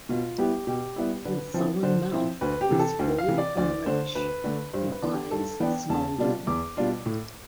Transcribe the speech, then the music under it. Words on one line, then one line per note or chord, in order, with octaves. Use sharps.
Her sullen mouth was full and rich -- her eyes smoldered.
B2 F4
G3 B3 E4 G4
B2 G4
G3 B3 E4
D3 B4
F3 C4 E4
D3 C5
F3 C4 E4
D2 B4
G4
C3 E3
A4
D2
F5
C3 E3
D5
D2 D5
D3 A3 C5
D2 B4
D3 A3
G2 C5
B4
E3 B3 D4
G4
G2 A4
E3 B3 D4 G5
E2 A5
B2 G3 D4 F4
E2 D6
B2 G3 D4 F4
A2